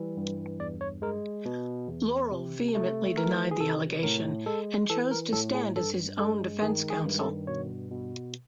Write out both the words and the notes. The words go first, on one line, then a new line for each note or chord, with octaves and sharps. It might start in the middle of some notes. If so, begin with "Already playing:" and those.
Laurel vehemently denied the allegation and chose to stand as his own defense counsel.
Already playing: E3 G3
G2
E2 D5
C#5
G#3 A#4
B2
E2
C3
A3
E3 A#4
G#4
C3 A4
A2 A#4
G#3 A4
E3 A4
A#4
A2 A4
G#4
G2 A4
G#3 A4
D#3 G#4
G#4
G2
A4
B2 C#5
B2